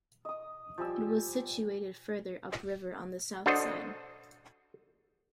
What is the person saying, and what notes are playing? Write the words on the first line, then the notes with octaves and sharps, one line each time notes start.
It was situated further up river on the south side.
D#5 D#6
F3 G3 G#5 E6
D4 F#4 A4 C5 C#5 D#5